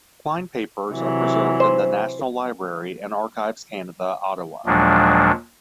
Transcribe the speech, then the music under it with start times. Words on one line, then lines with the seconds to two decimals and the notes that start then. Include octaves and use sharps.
Klein papers are preserved in the National Library and Archives Canada, Ottawa.
0.91 C3 E3 F#3
1.60 C5
4.66 D#2 A#2 F3 F#3 G#3 D4